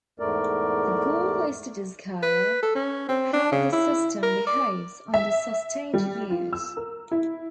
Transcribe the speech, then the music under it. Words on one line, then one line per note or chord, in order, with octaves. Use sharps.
The goal is to discover how the system behaves under sustained use.
E2 G#2 A3 A#4 D5
B4
A4
C#4
C4
D4
C#3
E4
A#4
D5
E5
G3
F4
E6
A#4
E4